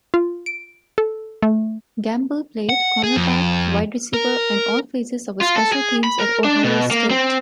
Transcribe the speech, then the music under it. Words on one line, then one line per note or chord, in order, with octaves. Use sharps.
Gamble played cornerback, wide receiver, and all phases of special teams at Ohio State.
F4
D7
A4
A3
F#5
G#4
F2
A#4
F4
A4
G#4
B5
A#4
D4
B2
A#3
C4